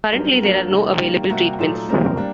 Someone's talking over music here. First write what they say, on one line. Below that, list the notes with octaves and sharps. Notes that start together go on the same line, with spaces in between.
Currently there are no available treatments.
G2 F#3 C4 G4 A#4
G2 F#3 A#3 F#4 A#4
C3 D#3 G3
D#3 G3 A#3
C3 G3 A#3 F#4
A#2 F#3 A3 D#4 A4
G3 C4 G4 A#4
G3 A#3 D4